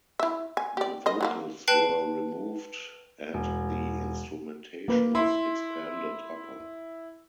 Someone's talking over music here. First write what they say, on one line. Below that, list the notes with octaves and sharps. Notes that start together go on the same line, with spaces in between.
The vocals were removed and the instrumentation was expanded upon.
E4 E5
G#5
G4 D5
C5 D#5
F#3 G#3 A#3
B4 G5 A5 F#6 C7 F#7
E1
A#3 B4
E4 C6